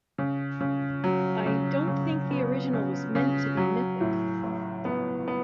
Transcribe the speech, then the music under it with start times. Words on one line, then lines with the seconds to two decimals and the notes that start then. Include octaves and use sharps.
I don't think the original was meant to be mythic...
0.18 C#3
0.60 C#3
1.04 F#3
1.46 C#3
1.88 C#3
2.31 B3
2.73 C#3
3.15 C#3
3.57 F#3
4.01 A2
4.43 A1
4.85 B3
5.28 B3